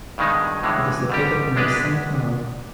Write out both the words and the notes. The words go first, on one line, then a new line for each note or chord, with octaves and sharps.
It is located near Saint-Malo.
G2 B2 D#3 G#3 D#4
A2 D3 E3 G#3
G#2 G3 G4
F#2 G#3 D4 G4 B4